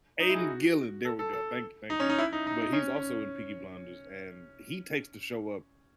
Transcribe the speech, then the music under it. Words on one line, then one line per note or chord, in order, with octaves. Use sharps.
Aiden Gillen, there we go. Thank you, thank you. But he's also in Peaky Blinders, and he takes the show up
D#4
E4
G#4
F#4
A4
A4
A4
D#4
C#4
D#4
E4
D#4
D#4
D#4
C#4
C#4